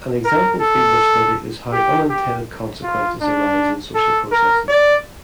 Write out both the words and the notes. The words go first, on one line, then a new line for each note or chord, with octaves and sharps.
An example field of study is how unintended consequences arise in social processes.
A#4
A4
G4
G4
F4
D4
A4
A#4
D5